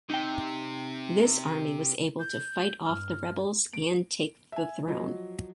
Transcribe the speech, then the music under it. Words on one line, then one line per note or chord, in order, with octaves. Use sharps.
This army was able to fight off the rebels and take the throne.
C3 D#4 G5
G6
G2 F6
D7
E5 G#5
F3 F#3 D#5